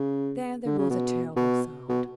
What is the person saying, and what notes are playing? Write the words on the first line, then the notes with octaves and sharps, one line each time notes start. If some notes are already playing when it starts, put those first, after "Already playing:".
Then there rose a terrible sound.
Already playing: C#3
D3
C#3
B2
B2
B2